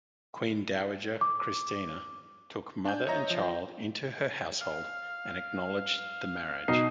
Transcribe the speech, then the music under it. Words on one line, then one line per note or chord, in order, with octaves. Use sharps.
Queen Dowager Christina took mother and child into her household and acknowledged the marriage.
D6
D4 G#5 G6
C#5 D#5 E5 A#5 A#6
F3
F5
B2 D#4 C7